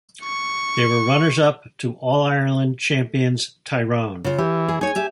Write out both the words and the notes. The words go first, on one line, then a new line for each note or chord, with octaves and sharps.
They were runners-up to All-Ireland champions Tyrone.
C#6
C#3 F4
E3 G4
G#4
D#4 C#5 G#5
G4 E5